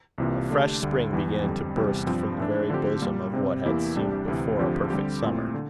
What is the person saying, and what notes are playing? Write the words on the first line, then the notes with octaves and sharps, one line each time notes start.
A fresh spring began to burst from the very bosom of what had seemed before a perfect summer.
C2 C3 E3 A#3 F4
D3 A3 D4 G4
D2 D3 G3 D4
E2 E3 G3
F2 D3 G3
E2 C3 G3
G2 F3 C4
A2 E3 A3 D4
D3 F3 C4 G4
A#2 G3 A#3
C3 G3 C4
E2 E3 A#3 E4 G4
C2 C3 G3 D4 G4
D2 C3 E3
D2 D3 F3 C4 G4
D3 G3 C4 G4
A#2 A3 C4 E4
D3